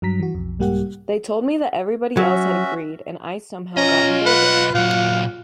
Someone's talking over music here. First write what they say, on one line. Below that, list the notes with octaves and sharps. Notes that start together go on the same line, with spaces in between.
They told me that everybody else had agreed and I somehow got emboldened.
G2 F#3 A#5 B6
E3 F#4
B1 F2
C2 G#2 G3 A#3 G4 F#5
F#3 C#4 F#4 E5
B1 C#4 F4 D#5 A#5
B4 F#5
A#2 F#3 F5 F#5